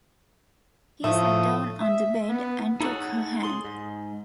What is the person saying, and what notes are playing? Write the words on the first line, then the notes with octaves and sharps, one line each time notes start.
He sat down on the bed, and took her hand.
A2 F3 A3 D#6
E5
B3
D#4 E4 G#4 A4 C#5 F#5
G#4 C6
G#2